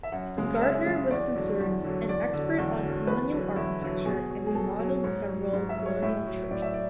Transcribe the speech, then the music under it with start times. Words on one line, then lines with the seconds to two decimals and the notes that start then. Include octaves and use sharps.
Gardner was considered an expert on Colonial architecture and remodeled several Colonial churches.
0.03 E5
0.12 F#2 F#5
0.37 C#3 G#3
0.61 F#2 E5
0.86 C#3 G#3
1.10 E2 D5
1.35 D3 F#3
1.60 E2
1.84 D3 F#3
2.09 E2 D5
2.33 D3 F#3
2.58 E2
2.83 D3 F#3
3.07 E2 B4
3.32 D3 F#3
3.56 E2 E4
3.81 D3 F#3
4.05 B2 G#4
4.30 F#3
4.47 G#4
4.55 B2 A4
4.79 F#3
5.04 G#2 C#5
5.28 F#3
5.53 G#2
5.69 E5
5.78 F#3
5.86 C#5
6.02 A2 E5
6.27 F#3
6.51 A2 D5
6.62 E5
6.74 D5